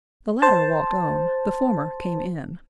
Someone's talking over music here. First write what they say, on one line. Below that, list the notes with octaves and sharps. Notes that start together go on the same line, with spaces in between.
The latter walked on; the former came in.
C5 A5